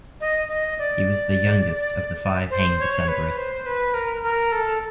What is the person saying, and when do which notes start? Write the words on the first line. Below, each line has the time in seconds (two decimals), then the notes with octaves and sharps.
He was the youngest of the five hanged Decembrists.
0.21 D#5
0.49 D#5
0.79 D5
2.50 C5
2.80 C#5
3.08 B4
3.37 C5
3.66 B4
3.94 A#4
4.23 A#4
4.52 A4